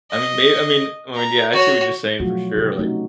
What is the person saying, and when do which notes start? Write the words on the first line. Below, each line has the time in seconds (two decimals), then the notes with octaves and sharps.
I mean, may I mean well and yeah, I see what you're saying for sure, like
0.11 D#5
1.15 A#5
1.53 F#4 C#5
2.20 B2 F3 F#3 A3 F4 F#4
2.57 C3 G4
2.78 A3 B3 C#4 D#4 F#4